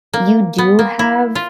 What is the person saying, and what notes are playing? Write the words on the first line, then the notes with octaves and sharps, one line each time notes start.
you do have
A#3
B3
A#3
E4
F4